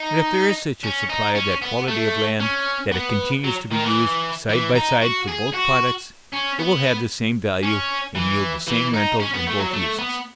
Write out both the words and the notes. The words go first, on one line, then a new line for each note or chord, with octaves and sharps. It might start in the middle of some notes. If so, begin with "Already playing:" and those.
But if there is such a supply of that quality of land that it continues to be used side by side for both products, it will have the same value and yield the same rental in both uses.
Already playing: D#4
C#4
D#4
C#4
B3
A3
C#4
B3
F#3
D#3
E3
E3
D#4
F#4
G#4
F#4
C#4
B3
C#4
E3
E3
D#4
C#4
B3
A3
F#3
A3
B3